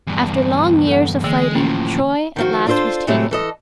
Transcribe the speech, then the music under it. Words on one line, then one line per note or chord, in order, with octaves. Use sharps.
After long years of fighting, Troy at last was taken.
E2 G2
A4 F#5
D3 E3 G#3 A#3
A2 F3 A#3 C#4
D#3 F3 F#4
D4 F4 A4 A#4 C5
A2 C3 F#3 G#3 A3 E4
E3 A4 D#5